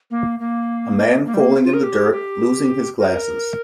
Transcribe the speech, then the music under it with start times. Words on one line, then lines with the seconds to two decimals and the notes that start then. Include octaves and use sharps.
A man falling in the dirt, losing his glasses.
0.11 A#3
0.39 A#3
1.25 A#3
1.34 G3
1.40 A#3
1.64 F4
1.74 A#4
1.83 G4
2.12 G4
2.99 A#4